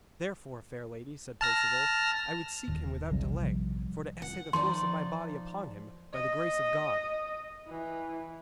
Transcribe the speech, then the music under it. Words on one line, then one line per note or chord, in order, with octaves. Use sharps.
'Therefore, fair lady,' said Perceval, 'I would seek him without delay, for to essay the force of my body upon him, by the grace of God.'
A5 F6 A#6
D#1
A#1 C3 F3 G3
F#5
F3 D#4 D5 C6
D#5
E3